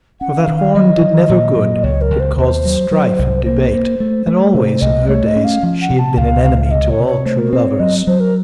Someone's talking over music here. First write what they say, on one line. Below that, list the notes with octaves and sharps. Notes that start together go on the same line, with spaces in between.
For that horn did never good, but caused strife and debate, and always in her days she had been an enemy to all true lovers.
C#4 F#5
F5
D#3
F5
F#3 D#5
D#3
A#2
F#3
C#2 C#5
A#4
C#2
C5
D#2 C5
F#3
F#3
C2
A#3 C5
A#3
A3
A3
C3 C5
C2 D#5
A3 C#5
D#5
C#4
F5
F3
F#5
C3
A5
C#2 F5
C#2 F5
F5
C3 D#5
C#5
C3
C#5
A3 C5
A#4
C4 C5
C#5
F#3 D#5
F#3 C5
A#4